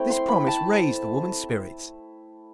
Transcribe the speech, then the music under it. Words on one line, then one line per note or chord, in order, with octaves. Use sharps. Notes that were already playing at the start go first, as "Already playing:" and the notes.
This promise raised the woman's spirits.
Already playing: A3 C4 E4 G5
C6
B5
A5